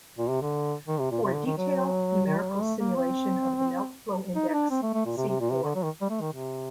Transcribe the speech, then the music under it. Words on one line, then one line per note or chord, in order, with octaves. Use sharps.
For a detailed numerical simulation of the melt flow index, see or.
A#2
C3
D3
D#3
C3
A#2
C3
D3
D#3
F#3
D#3
F#3
G3
A3
A#3
C4
D#4
D#4
D4
C4
A3
A3
A#2
C3
C3
A#2
C3
D3
F#3
D#3
G3
A3
D#3
C3